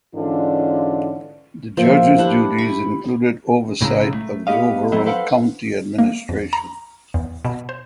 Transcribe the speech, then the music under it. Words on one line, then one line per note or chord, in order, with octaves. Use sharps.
The judge’s duties included oversight of overall county administration.
G#2 D3 E3 C#4 D4 F4
F3 A#3 C5 E5
D4 E4 G4 F#5
B5 C#6
B1 A2 C#3 G#3 E4 A#5
A3
A3 B3 C4 G4 D#5 F5
F#3 A3 C4 E4 D#5
A4 B4 C5 F5 F#5
A#3
F2
A#5
E2
B2
C5